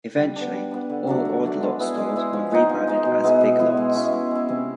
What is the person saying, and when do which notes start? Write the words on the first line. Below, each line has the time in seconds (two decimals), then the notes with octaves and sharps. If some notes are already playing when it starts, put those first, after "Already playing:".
Eventually, all Odd Lots stores were rebranded as Big Lots.
0.17 G3
0.36 B3 D4
0.54 G3
0.71 B3 D4
0.90 D3
1.07 F#3 A3 D4
1.25 D3
1.43 F#3 A3 D4
1.61 G#3
1.79 B3 E4 G#4
1.97 G#3
2.16 B3 E4 G#4
2.33 F3
2.51 G#3 B3 D#4
2.69 F3
2.87 G#3 B3 D#4
3.05 B2
3.23 G#3 B3 E4
3.41 B2
3.59 G#3 B3 E4
3.77 G#3
3.94 C#4 E4
4.13 G#3
4.31 C#4 E4
4.49 C3